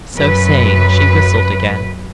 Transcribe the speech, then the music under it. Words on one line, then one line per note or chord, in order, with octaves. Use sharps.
So saying, she whistled again.
F#2 B4